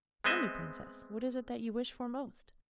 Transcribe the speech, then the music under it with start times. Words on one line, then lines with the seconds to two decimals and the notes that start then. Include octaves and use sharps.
Tell me, Princess, what is it that you wish for most?
0.24 G#3 B3 C4 D#5 E5